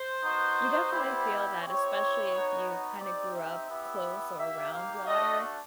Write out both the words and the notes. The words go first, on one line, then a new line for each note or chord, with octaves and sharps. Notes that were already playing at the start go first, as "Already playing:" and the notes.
You definitely feel that, especially if you kinda grew up close or around water,
Already playing: C5
B3 D#4 F#4
G3 B3 E4 G4
C4 E4 G4 C#5
B3 D#4 F#4
C4 D#4 G4 D5
E5
B3 E4 G4
A#3 D#4 G4 E5
F5
A3 D4 F#4 D#5